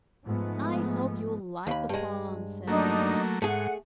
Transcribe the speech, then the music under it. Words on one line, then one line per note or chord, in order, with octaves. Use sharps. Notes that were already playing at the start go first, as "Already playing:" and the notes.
"I hope you'll like the pond," said he.
G#2 F3 G#3 A3 B3
D#2 B5
G2 G#3
F#3 A3 A#3 D4 D#4
G#2 A3 G#4 F#5